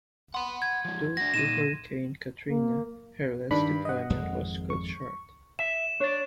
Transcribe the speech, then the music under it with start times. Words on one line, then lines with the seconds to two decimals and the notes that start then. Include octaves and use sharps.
Due to Hurricane Katrina, her last deployment was cut short.
0.34 F#5 B5 C6
0.62 G#6
0.85 F3 G#3
1.17 D4 F#4 A#6
1.34 A#2 D#4 D#7 E7
2.49 A#3
3.51 G2 D#3 D4 B5
3.85 D#5 F#5
4.10 G#1 F2 G#3
4.70 C#6
5.59 E5 E7
6.00 D4 C#5 D5